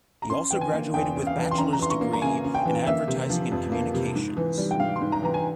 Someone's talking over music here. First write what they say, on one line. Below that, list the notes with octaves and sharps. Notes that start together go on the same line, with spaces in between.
He also graduated with Bachelor's degree in Advertising and Communications.
A#5
C#4 C6
E3 G5
G#5
A#3
E2 G5
C#4
F5
E3
C6
C#4 A#5
A#5
E3 C6
C#6
A#3
A#5
C#3 G#5
C#4
G5
E3
A#3 E5
C3
F3
F2
A#3
C3
G#2
E3
G3
G5
G#2 F5
C6
G#2
A#5
E3 A#5
G#5